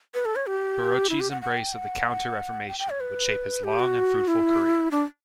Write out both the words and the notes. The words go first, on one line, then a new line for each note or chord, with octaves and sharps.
Barocci's embrace of the Counter Reformation would shape his long and fruitful career.
B4
A4
C#5
G4
E4
G4
F#5
F#5
G5
F#5
G5
G5
C#5
B4
G4
F#4
E4
D4